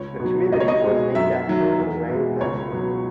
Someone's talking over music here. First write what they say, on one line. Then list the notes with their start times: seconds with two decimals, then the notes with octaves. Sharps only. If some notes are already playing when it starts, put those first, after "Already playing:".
The community was named after the Ray family.
Already playing: C#2 C#5
0.20 B2
0.25 F#3
0.52 C#2 D#5
0.60 C#5
0.68 D#5
0.84 B2 G#3
1.15 F#2 E5
1.47 D#3 F#3
1.78 E2
2.10 B2 G#3
2.41 C#2 C#5
2.72 B2 F#3